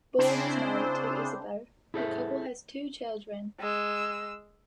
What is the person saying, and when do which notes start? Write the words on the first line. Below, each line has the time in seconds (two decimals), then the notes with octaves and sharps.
Borg is married to Isabelle; the couple has two children.
0.18 C#3 C4 D4 E4 G#4 C5
1.94 E4 G#4 A4 C5 C#5 E5
3.60 G#3 E6